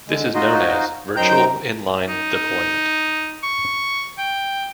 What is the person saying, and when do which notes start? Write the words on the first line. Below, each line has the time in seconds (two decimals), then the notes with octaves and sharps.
This is known as virtual inline deployment.
0.08 D3 G#3
0.35 D#4 F4 F#4 C5 D#5
1.17 F#2 D#4 C5 G5 A#5 G6
2.09 D#4
3.44 C#6
4.18 G5